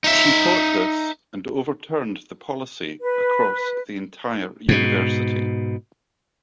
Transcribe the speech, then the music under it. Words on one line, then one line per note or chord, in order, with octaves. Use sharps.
She fought this and overturned the policy across the entire university.
D#4 E5
B4
G#2 B2